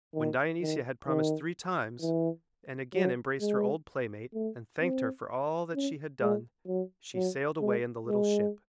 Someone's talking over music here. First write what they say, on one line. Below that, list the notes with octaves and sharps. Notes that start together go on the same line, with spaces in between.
When Dionysia had promised three times and again embraced her old playmate and thanked her for all that she had done she sailed away in the little ship.
D#3
D#3
D#3
E3
F#3
G#3
A3
C4
C#4
G#3
F#3
F#3
G#3
G#3